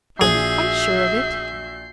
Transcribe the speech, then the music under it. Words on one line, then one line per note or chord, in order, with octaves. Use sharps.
"Are you quite sure of it?"
A#1 F#4 G#4 E5 G6 C7